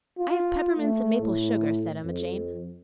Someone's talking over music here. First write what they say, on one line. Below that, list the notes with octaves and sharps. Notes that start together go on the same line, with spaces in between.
"I have peppermints and maple sugar," said Emma Jane.
F4
A3
A2
F2